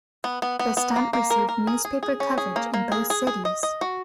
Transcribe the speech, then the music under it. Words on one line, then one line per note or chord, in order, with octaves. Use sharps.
The stunt received newspaper coverage in both cities.
B3
B3
B3
B3
A#3
A#3
A#4
A#4
G#4
G#4
G#4
C#4
G#4
A#3
A#3
G#4
G#4
G#4
D#5
D#5
F#4